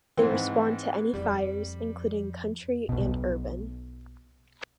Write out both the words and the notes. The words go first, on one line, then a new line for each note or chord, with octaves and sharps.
They respond to any fires including country and urban.
G#2 E3 C4
F2 G3
B1 B2